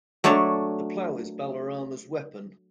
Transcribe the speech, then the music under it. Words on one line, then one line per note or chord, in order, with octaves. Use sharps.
The plow is Balarama's weapon.
F#3 A3 D4 C#5 D5